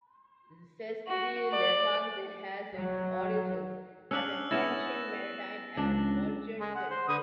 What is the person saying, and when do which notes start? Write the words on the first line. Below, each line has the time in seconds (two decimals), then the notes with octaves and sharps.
Sestri Levante has its origins as an ancient maritime and merchant center.
1.08 F#4
1.52 D5
2.77 F#3
4.11 C#4 D4 E6 F#6 F#7
4.51 B3 C#4 E4 A6 A#6 E7
5.77 C#2 D4
6.60 G#3
6.75 F#5
6.90 C5
7.08 D3 B4 D#6